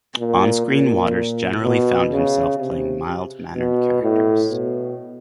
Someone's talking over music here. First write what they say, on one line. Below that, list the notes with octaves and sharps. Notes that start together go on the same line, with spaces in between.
On screen Waters generally found himself playing mild mannered characters.
A#2
A#2
B2
C#3
C3
B2
A2
B2